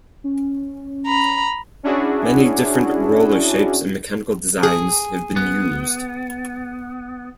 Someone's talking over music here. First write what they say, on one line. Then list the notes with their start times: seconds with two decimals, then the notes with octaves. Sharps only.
Many different roller shapes and mechanical designs have been used.
0.24 C#4
1.07 A#5 B5
1.83 C#4 D4 E4 F#4 G#4
4.63 G#4
5.36 B3